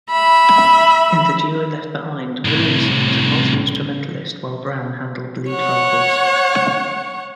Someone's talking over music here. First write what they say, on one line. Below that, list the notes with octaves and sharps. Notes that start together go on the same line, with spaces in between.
In the duo left behind, Williamson was a multi-instrumentalist while Browne handled lead vocals.
E5 B5
C2 A2
C#5 F#5